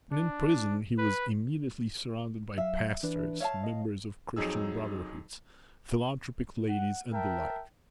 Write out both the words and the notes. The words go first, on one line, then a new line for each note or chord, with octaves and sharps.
And in prison he was immediately surrounded by pastors, members of Christian brotherhoods, philanthropic ladies, and the like.
D4
B4
F#3 E5 F5
E3 D4 B4
C#5 E5 F5 A5
D#5
F2 F#3 D#4 G#4 E6
F#5
A#4 E5 G5 A5